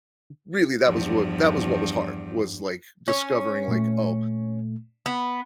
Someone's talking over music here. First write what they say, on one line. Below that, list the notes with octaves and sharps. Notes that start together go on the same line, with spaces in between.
really that was what that was what was hard, was, like, discovering like, "Oh,
E2 G2 F3
C#4
A#2 A3
B3